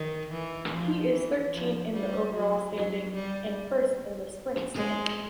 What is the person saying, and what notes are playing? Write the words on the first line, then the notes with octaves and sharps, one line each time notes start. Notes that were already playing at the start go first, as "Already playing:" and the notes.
He is thirteen in the overall standing and first in the sprint standing.
Already playing: D#3
E3
F3
E3
F3
G3
F#3
F#3
G3
G#3